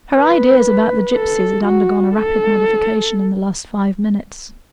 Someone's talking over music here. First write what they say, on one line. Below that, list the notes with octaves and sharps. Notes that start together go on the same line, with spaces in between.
Her ideas about the gypsies had undergone a rapid modification in the last five minutes.
B4
A4
F#4
A4